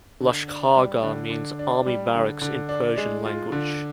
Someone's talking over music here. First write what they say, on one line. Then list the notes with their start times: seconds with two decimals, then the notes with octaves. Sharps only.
Lashkargah means "army barracks" in Persian language.
0.20 D3
0.48 D4
0.76 G3
1.03 D3
1.30 D3
1.59 D4
1.86 G3
2.14 D3
2.41 D3
2.69 D4
2.97 G#3
3.25 F4
3.52 D3